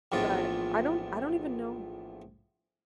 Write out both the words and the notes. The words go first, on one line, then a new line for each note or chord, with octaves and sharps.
but I don't I don't even know.
A#1 E2 A2 F4